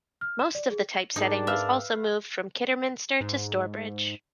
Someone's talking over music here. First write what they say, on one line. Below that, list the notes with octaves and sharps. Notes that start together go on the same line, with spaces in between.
Most of the type setting was also moved from Kidderminster to Stourbridge.
F6
E7
D5
G#4
G#2 D4 D#4 G#4 A#4
B4 E5 F5 F6
G#2